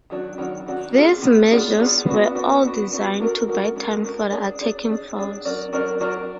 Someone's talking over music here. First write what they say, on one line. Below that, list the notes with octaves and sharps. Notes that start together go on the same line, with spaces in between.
These measures were all designed to buy time for the attacking force.
D#3 F#3 D4 F#4
D#3 F#3 D4 F#4
D#3 F#3 D4 F#4
B3 D4 F4 G#4
B3 D4 F4 G#4
B3 D4 F4 G#4
B3 D4 F4 G#4
B3 D4 F#4
B3 D4 F#4
B3 D4 F#4
B3 D4 F#4
G#3 D4 F#4 A#4
G#3 D4 F#4 A#4
G#3 D4 F#4 A#4
G#3 D4 F#4 A#4
D4 G#4 D5
D4 G#4 D5
D4 G#4 D5
D4 G#4 D5
F#3 D4 F#4 A#4 D5
F#3 D4 F#4 A#4 D5
F#3 D4 F#4 A#4 D5